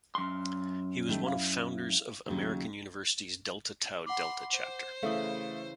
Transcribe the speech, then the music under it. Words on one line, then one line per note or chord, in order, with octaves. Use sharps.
He was one of founders of American University's Delta Tau Delta chapter.
F#2 C6
D#3 G3 A3
E4 F5
D#2 C#3 F#3
F#5 B5 C6 D6
C5
C#3 E3 A3 F5 B5 D#6